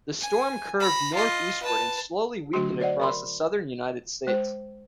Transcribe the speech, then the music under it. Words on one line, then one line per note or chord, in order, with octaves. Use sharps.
The storm curved northeastward and slowly weakened across the Southern United States.
G#5
A#5 B5
F4 D#5
B4 A5
D3 F#3 A3 D4 F#4 C6
C5 D5 D#5 F#5
A#4 B5 C6
G#3 C5